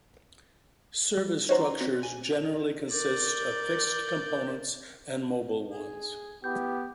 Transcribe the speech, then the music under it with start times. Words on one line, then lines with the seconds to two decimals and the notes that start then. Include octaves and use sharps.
Service structures generally consist of fixed components and mobile ones.
1.17 G3
1.49 C#4 D#4 F#4 C5 A#5
1.81 C4 F#4
2.03 G#5
2.92 A#4 D5 G6
5.72 G#4
6.44 B3 E4 G4 G6